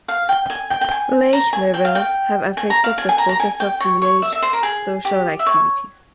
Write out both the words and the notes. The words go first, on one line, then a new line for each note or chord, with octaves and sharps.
Lake levels have affected the focus of village social activities.
F5
G5
G#5
G5
G5
G#5
A#5
G#5
G5
F5
G5
G#5
A#5
F5
G#5
G#5
A#5
A#5
G#5
G5
C#5
C#5
E5
E5
C5
A#4
G#4
G4
E5
C#5